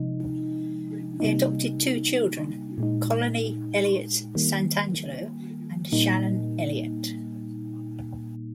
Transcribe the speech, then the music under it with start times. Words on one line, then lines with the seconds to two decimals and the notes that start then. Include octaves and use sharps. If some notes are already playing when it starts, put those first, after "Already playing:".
They adopted two children, Colony Elliott Santangelo and Shannon Elliott.
Already playing: C3 F3 G#3 D#4
1.20 C3 G3 A#3 D#4
2.78 A#2 G#3 D#4
4.35 D#3 G3 A#3
5.92 A#2 G3 A#3 D#4